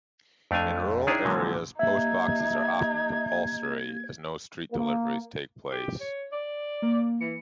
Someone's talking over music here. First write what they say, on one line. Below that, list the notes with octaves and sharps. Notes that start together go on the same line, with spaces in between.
In rural areas Post Boxes are often compulsory as no street deliveries take place.
F2 A3 D4 F5 G#5
D#3 D4 E4 G#4 C#5
A#2 D3 E3 F#3 G#3 C#4
A#3 D#4 G4 E5 F5 G#6
A#3
G4
C#5
D5
A#3
E3 C#7